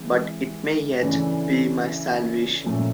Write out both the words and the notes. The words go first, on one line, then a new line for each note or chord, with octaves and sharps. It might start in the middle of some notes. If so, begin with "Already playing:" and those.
But it may yet be my salvation.
Already playing: E3 G#3 C4
C#3 E3 A3 D4
A#2 F3 A3 C#4